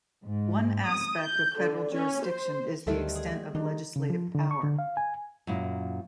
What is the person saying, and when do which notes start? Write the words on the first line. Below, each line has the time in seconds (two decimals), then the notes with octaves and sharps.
One aspect of federal jurisdiction is the extent of legislative power.
0.25 G#2
0.86 D#6
1.18 G6
1.58 D3
1.95 C#4
2.24 C5
2.87 D2 D#3 F#3 G3 A3 C4 A4 E5
3.15 G#4
3.55 D#3 D4 D#4
3.96 C#3
4.10 F3
4.35 D3
4.51 C#6
4.64 D3
4.79 F5
4.97 G#5
5.47 F#2 A#2 E4